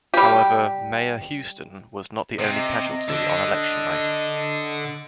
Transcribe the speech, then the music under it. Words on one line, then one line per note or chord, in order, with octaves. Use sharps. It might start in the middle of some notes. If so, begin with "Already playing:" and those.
However, Mayor Houston was not the only casualty on election night.
G3 G4
C3 D#5
D3